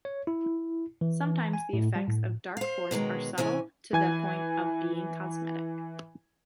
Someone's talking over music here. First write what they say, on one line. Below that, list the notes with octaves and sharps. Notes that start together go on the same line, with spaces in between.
Sometimes the effects of Darkforce are subtle to the point of being cosmetic.
C#5
E4
E3
G#5
A2
G3
A2
C5 F5
B2 D#3 F#3 G#3
C3 E3 C#4 G#5
E3 G#5 G#6